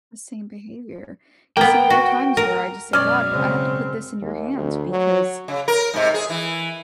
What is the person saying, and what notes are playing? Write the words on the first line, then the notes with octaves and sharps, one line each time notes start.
The same behavior. You see, there are times where I, just, say, "God, I have to put this in your hands because
A#3 B3 G5
F#4
A#4
F#2 B2 G#3 C#4 D5 F6
C#3 C4
D#2
D2
F#3
C#3
A#4
G#2 C3
G#4
E3